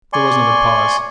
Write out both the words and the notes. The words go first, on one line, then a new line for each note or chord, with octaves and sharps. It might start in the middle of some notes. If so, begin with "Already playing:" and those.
There was another pause.
D5 G#5 C6 C#6